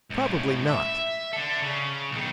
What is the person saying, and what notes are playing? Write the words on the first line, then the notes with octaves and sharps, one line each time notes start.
Probably not.
C#2 A2
E5
D4 A4
C#3
B1 D#3